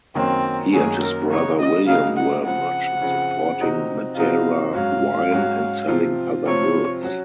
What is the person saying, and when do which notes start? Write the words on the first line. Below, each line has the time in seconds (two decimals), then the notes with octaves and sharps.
He and his brother William were merchants importing Madeira wine and selling other goods.
0.15 F#2 D#3 A#3 C4 C#4 F#4
0.73 F#2 D#3 A#3 C#4 F#4 G#4
1.02 A#4
1.30 C#3 F#3 A#3 D#4 F#4 C#5
1.59 D#5
1.87 C#3 F#3 A#3 D#4 F#4 F5
2.16 F#5
2.45 C#3 F3 C4 F#5
3.02 C#3 F3 C4
3.59 C3 F3 C4 D#4 F#4
4.16 C3 F3 C4 D#4 F#4 F5
4.74 G#2 F#3 C#4 F#4 F5
5.31 G#2 F#3 C#4 F#4
5.88 C3 F3 C4 F4
6.46 C3 F3 C4 F4 C#5
7.03 F#3 C#4 F#4